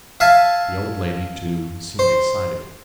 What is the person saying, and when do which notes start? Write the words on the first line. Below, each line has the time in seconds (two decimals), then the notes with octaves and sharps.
The old lady, too, seemed excited.
0.20 E5 F5 G#5 A5
1.99 C5